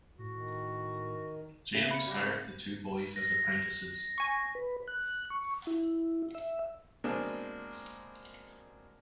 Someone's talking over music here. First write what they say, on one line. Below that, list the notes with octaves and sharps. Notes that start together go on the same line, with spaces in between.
James hired the two boys as apprentices.
A2 F#4
D#3
C#3 C#5 E5 F5
C#5 B5 C#7
G3 D6 A#6
C4 A#4
A#6
G#5 C#6
B4
F#6
C#6
E4
E5
B2 G#3 A#3 C4 D4